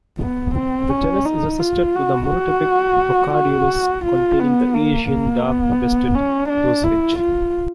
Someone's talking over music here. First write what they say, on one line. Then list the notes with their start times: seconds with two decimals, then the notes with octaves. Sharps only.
The genus is a sister to the monotypic "Procarduelis" containing the Asian dark-breasted rosefinch.
0.20 B3
0.55 C4
0.90 C#4
1.25 D#4
1.60 F4
1.95 F#4
2.30 F#4
3.35 F#4
4.05 F4
4.40 B3
4.74 A#3
5.10 A#3
5.44 B3
6.14 C#4
6.49 D4
6.84 E4
7.19 F4